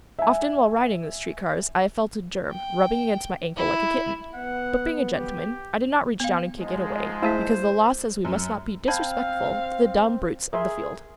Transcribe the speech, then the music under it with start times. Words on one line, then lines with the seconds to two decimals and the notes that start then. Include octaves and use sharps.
Often while riding in the street cars I have felt a germ rubbing against my ankle like a kitten, but being a gentleman, I did not reach down and kick it away because the law says we must not be disrespectful to the dumb brutes of the field.
0.19 E5 G#5
2.52 G5
3.56 E4
4.35 B3 F#5
5.13 G4
6.20 B3 F5
6.58 G#2 F3 G#3
7.22 A3 E4 G#4 C5 A5 B6
8.25 F#2
8.88 C4 F5 A5 B5 G#6
10.53 G#4 A#4 E5 C6